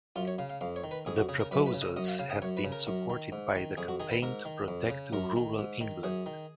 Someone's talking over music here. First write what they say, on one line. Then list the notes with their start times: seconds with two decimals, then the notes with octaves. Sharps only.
The proposals have been supported by the Campaign to Protect Rural England.
0.16 F#2 F4
0.28 C#5
0.38 C#3 F5
0.49 F5
0.61 F2 F5
0.76 C#5
0.84 D#3
0.91 B4
1.06 F2 G#4
1.17 F#4
1.29 C#3 G#4
1.40 A#4
1.51 F#2 B4
1.66 B4
1.74 C#3
1.82 D#5
1.96 F#2 D#5
2.08 F5
2.19 C#3 F5
2.30 D#5
2.42 F#2 C#5
2.57 B4
2.64 C#3
2.72 A#4
2.87 F#2
3.10 D#3
3.32 G#2
3.55 D#3
3.77 F2 G#4
3.88 F#4
4.00 D#3 G#4
4.11 B4
4.22 G#2 A#4
4.45 D#3
4.68 F2
4.90 C#3
5.13 F#2 A#4
5.36 D#3
5.58 G#2
5.81 D#3
6.03 F#2 G#4
6.26 D#3